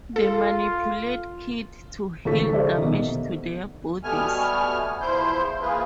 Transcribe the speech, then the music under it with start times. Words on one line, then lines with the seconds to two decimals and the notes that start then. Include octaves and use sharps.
They manipulate ki to heal damage to their bodies.
0.16 F4 A4
2.25 G#1 C#2 F3 A4 C#6 B6
2.53 G4 A4 C5 D5 E5
2.77 B2 D#3
4.04 B2 G3 A3 B3 G#5 F6
5.01 E2 F3 E4 C5 G6
5.62 A#3 F4 G#4 B4